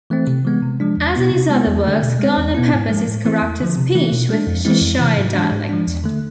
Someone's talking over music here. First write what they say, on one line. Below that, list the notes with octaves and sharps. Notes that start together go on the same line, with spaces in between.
As in his other works, Garner peppers his characters' speech with Cheshire dialect.
E3 A3 C4
C3
E3 G#3 B3
C3
F3 G#3 D4
E2
B2 B3 E4
C3
G#3 B3 E4
E2
D3 A3
B2
G#3 C4
E2
B2 B3 E4
G#2
F3 G#3
A2
E3 A3 C4 E4
E2
D3 F3
C3
E3 A3 E4
B2
G#3 D4
F2
E3 G#3 C4 E4
F2
C3 E3
G#2
E3 G#3 D4
G#2
F3 G#3 D4
E2
D3 A3